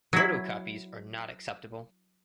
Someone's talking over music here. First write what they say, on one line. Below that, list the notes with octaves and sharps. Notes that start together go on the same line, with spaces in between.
Photocopies are not acceptable.
F#3 E4